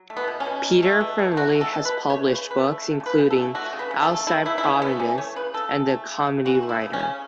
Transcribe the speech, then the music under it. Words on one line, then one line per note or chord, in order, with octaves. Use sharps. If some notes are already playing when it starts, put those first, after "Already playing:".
Peter Farrelly has published books including "Outside Providence" and "The Comedy Writer".
Already playing: F#3
A3
B3
B2
C#4
B2
F#3
A3
B2
B2
F#3 F#4
A3
A4
B2
B4
B2
A3 C#5
C#3
B4
C#3
B4
A4
A3
A3
C#3
B4
C#3
A4
A3
A3 F#4
C#3
B4
C#3
A4
A3
A3 E4
C#3 E4
E4
C#3 C#4
A3 B3
E3 C#4
A3 C#5
C#3 B4
C#3 A4
E3
A3
C#3
C#3
E3 F#4
A3
E4
C#3
C#4
C#3